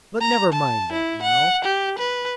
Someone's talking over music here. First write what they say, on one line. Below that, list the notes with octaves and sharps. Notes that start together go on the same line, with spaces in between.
But never mind that now.
A#5
A5
E4
F#5
G4
B4